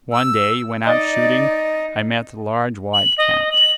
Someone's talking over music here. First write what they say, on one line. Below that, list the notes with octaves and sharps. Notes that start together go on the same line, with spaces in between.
One day, when out shooting, I met a large white cat.
E6
D#4 D5 D#5
F#7
D#5
F#7